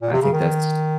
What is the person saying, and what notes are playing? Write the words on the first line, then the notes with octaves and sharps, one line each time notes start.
I think that's
A#2
C3
C#3
D#3